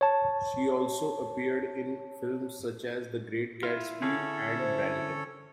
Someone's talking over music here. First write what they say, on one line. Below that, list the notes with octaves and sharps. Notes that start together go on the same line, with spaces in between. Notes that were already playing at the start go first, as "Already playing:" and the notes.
She also appeared in films, such as "The Great Gatsby" and "Brannigan".
C#5 A5
E4 F4
D3 C#4 G#4 A4 C#5
C5